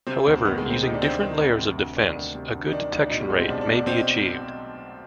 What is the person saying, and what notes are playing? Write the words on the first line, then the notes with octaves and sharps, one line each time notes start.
However, using different layers of defense, a good detection rate may be achieved.
C3 C4
D2
D#3 B3
G#3
D2
C4
C3 D#4
D4
D2 C4
D#3
D2
C3
D2
D#3 D4
D2
C3
D2
D#4
D#3 D4
D2 D#4
D4
B2 D#4
G3
B1 G#3
C4
B1 D4
D4
B2
D4
B2 C4